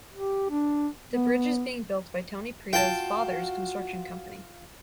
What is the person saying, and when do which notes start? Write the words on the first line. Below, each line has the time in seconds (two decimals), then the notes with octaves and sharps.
The bridge is being built by Tony Prito's father's construction company.
0.13 G4
0.50 D4
1.13 B3
2.73 F4 F#4 G5 A5